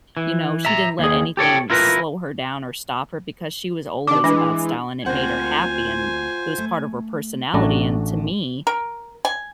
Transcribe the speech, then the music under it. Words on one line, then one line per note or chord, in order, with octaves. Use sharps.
you know, she didn't let anything slow her down or stop her because she was always about style, and it made her happy, and it was part of her personality. And to me,
E3
E5 A#5
D#2 G#4
G4 A4 C#5 G5
E4 F4 A#4 B4
D#3 D4 D6
E3 G#3 D4
D2 A#3 C4 F4 C5 F#5 G#5
A3
A1 A3 D4 F#4 A#5
A#4
G#5